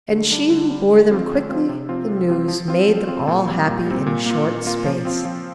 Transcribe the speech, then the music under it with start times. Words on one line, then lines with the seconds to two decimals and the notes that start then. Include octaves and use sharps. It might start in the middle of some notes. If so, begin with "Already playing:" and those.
And she who bore them quickly the news made them all happy in a short space.
0.11 D3
0.30 G3 D4
0.50 D3
0.70 G3 D4
0.90 D3
1.10 F3 C4 F4
1.30 D3
1.49 F3 C4 F4
1.69 C3
1.89 F3 C4 F4
2.08 C3
2.28 F3 C4 F4
2.48 F3
2.68 C4 F4
2.88 F3
3.07 C4 F4
3.27 A#2
3.47 G3 C4
3.67 A#2
3.86 G3 C4
4.07 A#2
4.26 A#3 F4
4.46 A#2
4.66 A#3 F4
4.85 F3
5.05 C4 F4
5.25 F3